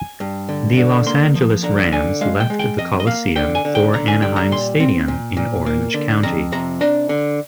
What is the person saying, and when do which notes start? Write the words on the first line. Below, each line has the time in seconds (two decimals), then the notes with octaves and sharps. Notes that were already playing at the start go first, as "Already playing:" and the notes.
The Los Angeles Rams left the Coliseum for Anaheim Stadium in Orange County.
Already playing: G#5
0.20 G2
0.49 D3
0.77 D3
1.06 A#3 C6
1.35 F3
1.63 D3 A#5
1.92 D3 G#5
2.21 G#3 F5
2.40 G5
2.50 G#3
2.59 G5
2.79 F2 D#5
3.00 D#5
3.07 A#3 F5
3.36 D3 G5
3.55 G#5
3.65 D3
3.75 G5
3.94 D3 A#5
4.08 G#5
4.22 G3 G5
4.36 A#5
4.51 A#2 C6
4.80 C4
5.08 A#2
5.37 A#2
5.66 A#3
5.94 D3
6.23 F2 A#5
6.52 C3 A#5
6.81 D4 A#5
7.09 D3